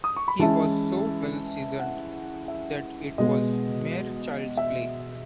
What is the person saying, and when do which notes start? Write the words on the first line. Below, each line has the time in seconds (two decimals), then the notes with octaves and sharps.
He was so well seasoned, that it was mere child’s play.
0.04 D#6
0.16 C#6
0.28 B5
0.39 E3 G#3 C#4 E4 A5
1.79 F#5
2.48 E5
3.18 B2 G#3 B3 D#5
4.57 E5